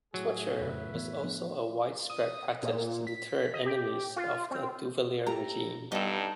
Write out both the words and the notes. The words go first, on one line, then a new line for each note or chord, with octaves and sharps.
Torture was also a widespread practice to deter enemies of the Duvalier regime.
A2 F#3 G#4
E1 F2 C#3 B4 C#5 E5
E3 B3
F3 B3 D4
D#6
A#2
B6
D#5
G4
F4
C4
A3 G4 A#5
G2 G3 B3 D#4 A4